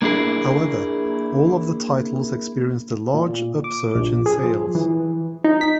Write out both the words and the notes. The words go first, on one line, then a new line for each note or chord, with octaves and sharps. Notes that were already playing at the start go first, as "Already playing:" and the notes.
However, all of the titles experienced a large upsurge in sales.
A#3 D4 E4 G#4 A#4
A#2
D6
A#1
G#4
F3
E3
D#4
B6